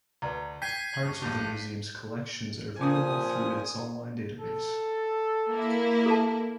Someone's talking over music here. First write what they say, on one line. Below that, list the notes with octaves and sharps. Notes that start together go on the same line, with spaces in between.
Parts of the museum's collections are viewable through its online database.
D2 B4 D5 A#5
G5 G6 G#6 B6 C7 D#7
G2 C#6
A#1 G2 G6
A#2 F3 G#5 D#6
A4
A#3 E4
A4 A5